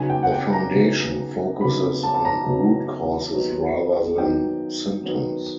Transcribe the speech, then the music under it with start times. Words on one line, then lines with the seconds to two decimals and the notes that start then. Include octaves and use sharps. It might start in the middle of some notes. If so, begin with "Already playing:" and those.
The Foundation focuses on root causes rather than symptoms.
Already playing: C#3 F#3 B3 D#4 G#5
0.10 G5
0.23 F#5
0.32 G5
0.53 A#5
0.74 C#3 F#3 B3 D#4
1.60 C#3 F#3 B3 D#4 B5
2.03 A5
2.15 A5
2.25 A#5
2.46 C#3 F#3 B3 D#4
3.31 D#3 F#3 B3 D#4
4.17 D#3 F#3 B3 D#4 G5
5.04 D#3 F#3 B3 D#4